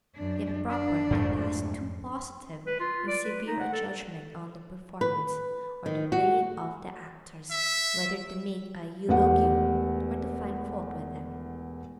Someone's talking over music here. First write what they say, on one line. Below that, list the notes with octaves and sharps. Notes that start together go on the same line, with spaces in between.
It is improper to pass too positive and severe a judgment on the performance, or the playing of the actors, whether to make a eulogium, or to find fault with them.
F#2 D4
D4
F2 G#2 A3
B4
F4
D5
B4
D#4
F#5
A4
B4
D#3
F#4
E5
E1 E2 A3 G4 F#5